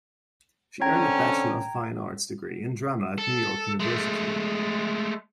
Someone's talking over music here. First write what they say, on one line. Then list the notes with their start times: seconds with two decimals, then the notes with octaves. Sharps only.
She earned a Bachelor of Fine Arts degree in drama at New York University.
0.82 D3 C4 C#4 G5 A#5 G#6
3.18 A4
3.80 G#3 A3